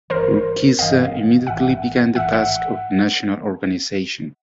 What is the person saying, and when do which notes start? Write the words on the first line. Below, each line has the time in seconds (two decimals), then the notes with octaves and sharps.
Urquiza immediately began the task of national organization.
0.10 G1 G2 E3 A#4 C5
0.78 G1 G2 E3 D#5 F5
1.47 A1 G#2 E3 E5 F#5
2.15 A1 G#2 E3 E5 F#5
2.33 E5 F#5